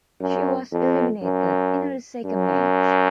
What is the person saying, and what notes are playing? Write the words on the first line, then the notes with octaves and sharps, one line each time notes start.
She was eliminated in her second match.
F#2
F2
F#2
F#2